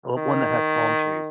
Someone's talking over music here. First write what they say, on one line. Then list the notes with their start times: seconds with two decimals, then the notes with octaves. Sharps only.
well, one that has palm trees,
0.17 D#3